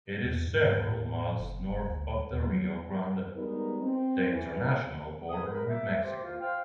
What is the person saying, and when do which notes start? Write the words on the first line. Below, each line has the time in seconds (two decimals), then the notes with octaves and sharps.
It is several miles north of the Rio Grande, the international border with Mexico.
0.23 E2
0.46 G#2
0.67 G#2
0.87 A2
1.39 F#1
1.69 F#1
1.88 D2
2.30 D#2
2.48 F#3
3.35 D#3 G3 G#3 B3 D#4 A#4
3.82 C4
4.31 E3
5.28 G#4 B4 D#6
5.50 A#4 B5
5.68 E5 D6
6.02 G4 C5
6.20 F4
6.39 C5 F5 G5